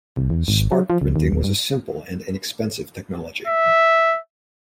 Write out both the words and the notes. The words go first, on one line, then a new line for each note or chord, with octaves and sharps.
Spark printing was a simple and inexpensive technology.
C2
E2
G#1
F#3
F3
C#2
D#2
D#1
G2
E5